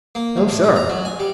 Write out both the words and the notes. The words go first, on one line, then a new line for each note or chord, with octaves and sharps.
"No, sir."
A#3
D2
A2
D#4
A#5
F#3
G#5
G3